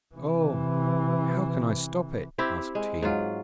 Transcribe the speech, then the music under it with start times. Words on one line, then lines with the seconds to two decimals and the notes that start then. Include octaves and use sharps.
'Oh, how can I stop it?' asked he.
0.15 C3 E3
2.38 C4 E4 G4
2.75 G#3
3.02 G#2 F#3 F4